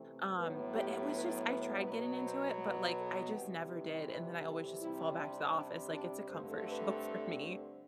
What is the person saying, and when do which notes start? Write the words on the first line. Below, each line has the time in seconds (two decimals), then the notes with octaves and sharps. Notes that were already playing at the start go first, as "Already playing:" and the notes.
um, but it was just I tried getting into it, but, like, I just never did, and then I always just fall back to The Office, like, it's a comfort show for me.
Already playing: C3 E3 A3 C4
0.38 A2 F#3 B3 B4
0.74 G4
1.12 B4
1.48 B4
1.85 B2 F#3 B3 B4
2.22 C5
2.59 B4
2.96 A4
3.33 C3 E3 G3 G4
3.70 B4
4.07 B4
4.44 A4
4.80 C3 G3 C4 E4
5.18 D4
5.55 D4
5.92 D4
6.28 G2 D3 A3 C4 C5
6.66 B4
7.40 C5